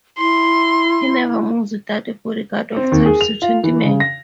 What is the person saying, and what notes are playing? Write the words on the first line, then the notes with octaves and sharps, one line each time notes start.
He never moves without a bodyguard of twelve to twenty men.
E4 C6
C4
D#2
G#4
F7
F4
E3
C#3
A#6